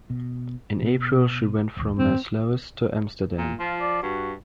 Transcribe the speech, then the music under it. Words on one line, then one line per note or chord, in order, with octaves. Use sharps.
In April she went from Maassluis to Amsterdam.
B2
B2
D#1 G#1 D#2
F2 A2 D#3 C4
A#2
F3 F4
D5
G2 F#4